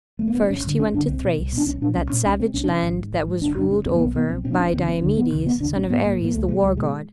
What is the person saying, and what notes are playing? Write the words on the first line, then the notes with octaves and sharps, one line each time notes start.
First he went to Thrace, that savage land that was ruled over by Diomedes, son of Ares, the war god.
A3
A#3
B3
C4
G#1 C#4
G2 D3
G#1 C#4
G2 D3 D4
C2 C4
B2
C2
B2
D4
C2 C#4
A#2 D4
C2 C#4
A#2 C#4
C2 C#4
C3 C4
C2 C#4
D4
C3 C#4
G#1
G#2
G#1
G#2
F#1 D4
F#2 C#3 D4
F#1 C#4
F#2 C#3 C4
A#3
B1 B3
B2 B3
B1 C4
B2 C4
D4
F1 C#4
D#2 D3 C4
F1 C4
D#2 D3
E1 B3
D#2 C#3
E1 B3
D#2 C#3 D4
A1 C#4
G#2 B3
A1 A#3
G#2 A#3
C#2 A3
B2 G#3
C#2 G3
B2 G#3